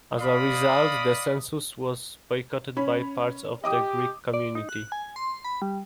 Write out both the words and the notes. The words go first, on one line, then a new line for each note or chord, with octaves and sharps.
As a result, the census was boycotted by parts of the Greek community.
D5 D#5 F5 B5 D#6
C#4 C#5 B5
G4 D#5 D6 D#6
D5
D#4
F#6
G#5
C6
B5
G3